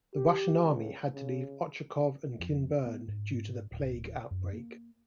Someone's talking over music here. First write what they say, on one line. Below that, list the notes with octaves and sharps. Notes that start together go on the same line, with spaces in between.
The Russian Army had to leave Ochakov and Kinburn due to the plague outbreak.
G4
C#2
C#3
F2
B3
G#2
D1
F#2
A#3